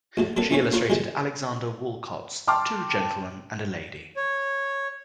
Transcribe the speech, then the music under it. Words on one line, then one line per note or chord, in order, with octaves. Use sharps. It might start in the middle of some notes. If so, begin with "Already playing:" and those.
She illustrated Alexander Woollcott's "Two Gentlemen and a Lady".
A#1 A2 F#3
F#3 A#3 C4 D4 A4 B4
E2 E3 C#4 C#5 B5
A#3 F4 A#4 C5 C#5
F#2 D3 E3 G3 G#3
G5 A5 C6 D6 F6
C#5